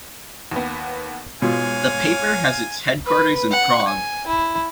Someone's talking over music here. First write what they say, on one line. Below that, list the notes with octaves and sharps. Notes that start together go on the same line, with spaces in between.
The paper has its headquarters in Prague.
D#2 B3
G#2 B2 F4 C#5 F5 G#5
B4
F#5
G#5
E4